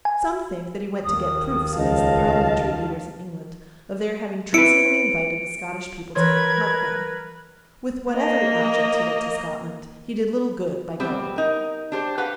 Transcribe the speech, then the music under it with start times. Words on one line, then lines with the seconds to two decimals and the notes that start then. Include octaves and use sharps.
Some think that he went to get proofs against the Parliamentary leaders in England of their having treasonably invited the Scottish people to come and help them. With whatever object he went to Scotland, he did little good by going.
0.05 G#5
1.05 D#2 D#3 D#6
1.78 C#2 D#5 F5 A5
4.54 E4 B4 C#7 D7
6.15 E3 A#4 B4 C#5 B5 C6 G#6
8.11 A#3 D#5
11.00 G3 B3 C4
11.36 D#4 A#4
11.92 D4 G4 C5
12.18 G4 B4 F5 F#5